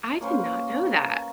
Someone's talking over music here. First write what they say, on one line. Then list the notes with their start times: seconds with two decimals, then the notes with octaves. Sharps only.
I did not know that.
0.21 A#3 C#4 B4 C5